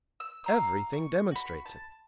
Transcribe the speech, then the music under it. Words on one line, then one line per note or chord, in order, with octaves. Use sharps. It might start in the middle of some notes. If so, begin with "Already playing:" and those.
Everything demonstrates it.
E6
F5 A#5 E6
C#6
F#4 B5
A5